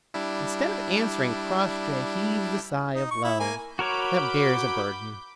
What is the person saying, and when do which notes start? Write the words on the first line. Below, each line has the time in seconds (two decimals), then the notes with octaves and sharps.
Instead of answering, Crossjay heaved the sigh of love that bears a burden.
0.14 G3 D4 E4
2.95 D#4
3.11 C#6
3.24 E4
3.40 A#3 G#5
3.79 F#4 A#4 C#5 B5 D6 G6